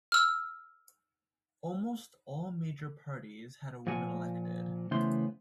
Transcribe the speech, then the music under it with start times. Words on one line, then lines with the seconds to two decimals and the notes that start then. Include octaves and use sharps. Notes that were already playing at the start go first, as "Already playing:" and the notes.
Almost all major parties had a woman elected.
0.12 E6 F6
3.87 A#2 F3 F#5 G#5
4.91 C#3 E3 A3 B3 C5 C6